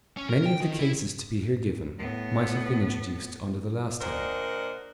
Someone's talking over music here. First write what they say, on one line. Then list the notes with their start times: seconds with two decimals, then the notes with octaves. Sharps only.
Many of the cases to be here given, might have been introduced under the last heading.
0.17 C#4
0.30 A#4
0.46 G5
0.62 D#3
0.79 E4
1.99 A2 B3
4.01 A#2 D4 A#4 C5 D#5 F#5